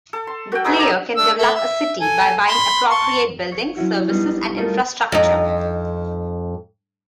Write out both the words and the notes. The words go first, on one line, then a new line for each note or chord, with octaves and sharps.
The player can develop a city by buying appropriate buildings, services and infrastructure.
A4
C6
F#4 G5
D#4 E4 G#4 B4
A4 D5 A#5
A3 D4 E6
A3 A4 E5
E5
A4 G#5
B5 C6
A5 C6 C#6
C#5
F#3 C#4 E4 F#4
G3 B3 D4 D#4
A3 D#4 F4 A4 A#4 C#5
F2 D#4